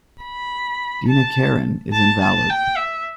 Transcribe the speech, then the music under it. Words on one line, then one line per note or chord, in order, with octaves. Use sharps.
Dinakaran is invalid.
B5
A5
A5
A5
G5
E5